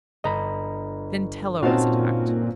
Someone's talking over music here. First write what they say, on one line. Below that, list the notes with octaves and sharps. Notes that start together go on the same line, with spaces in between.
Then Tela was attacked.
G1 D#5 A#5 B5
A#2 C4 C#4 D#4 F4 F#4 F5 A5